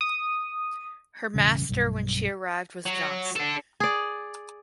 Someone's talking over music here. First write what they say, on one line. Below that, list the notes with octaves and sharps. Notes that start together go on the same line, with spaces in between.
Her master when she arrived was Johnson.
D#6
E1 A1 C#3 G3
B1 G2
F#3
D4 A4
G#4 D5